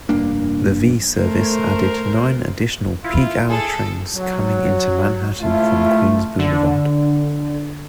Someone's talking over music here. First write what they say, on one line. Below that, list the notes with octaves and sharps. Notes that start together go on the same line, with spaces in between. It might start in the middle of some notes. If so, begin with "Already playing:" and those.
The V service added nine additional peak-hour trains coming into Manhattan from Queens Boulevard.
F1 G2 A#3 D4
A3 A#4 C5
E4 F4
G#4 A4
F#3
C#2 A3 E4 F4
D3